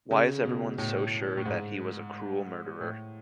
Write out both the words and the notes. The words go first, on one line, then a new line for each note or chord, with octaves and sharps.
Why is everyone so sure that he was a cruel murderer?
C#3
B2
A2
A2
G#2
A2